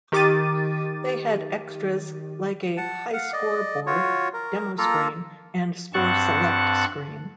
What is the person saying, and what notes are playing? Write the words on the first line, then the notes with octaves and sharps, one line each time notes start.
They had extras like a highscore board, demo screen, and score select screen.
D#3 G4 D6 A6 D#7
F#5 A5
F5 F#5
D5 D#5
F4 F#4 C#5
A#4
A#3 F4 A4 A#4 A#5
G2 C4 F#5 A5 C#6 F#6